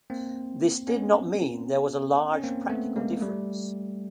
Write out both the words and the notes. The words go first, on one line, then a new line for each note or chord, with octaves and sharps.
This did not mean there was a large practical difference.
A#3 C4
B3 C#4
C#4
A#3 C4
A3 B3
G#3 A#3
G3 A3